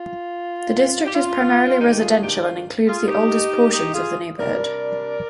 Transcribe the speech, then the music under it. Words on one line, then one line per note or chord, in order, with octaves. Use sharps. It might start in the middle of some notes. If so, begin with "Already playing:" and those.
The district is primarily residential and includes the oldest portions of the neighborhood.
Already playing: F4
G4
F4
D#3 G#3 D4 D#4 G4
F4 G#4
D#4 G4
F4
F4 G#4
D#4 G4
D#4 G4
F4 G#4
C3 G3 D4 A#4 D5